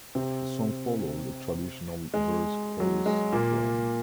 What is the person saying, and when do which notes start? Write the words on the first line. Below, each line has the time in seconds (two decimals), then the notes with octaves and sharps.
The song follows a traditional verse-chorus form.
0.15 C3 C4
2.14 G#3
2.80 F#3
3.06 G#3
3.32 A#2 A#3